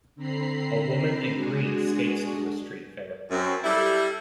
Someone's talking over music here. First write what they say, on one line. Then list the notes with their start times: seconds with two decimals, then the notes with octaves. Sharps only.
A woman in green skates through a street fair.
0.16 D3 C4 A#5 B5 C7
1.32 G#3 D4 F#4 G#4
3.31 F#2 C4
3.64 G3 E4 A4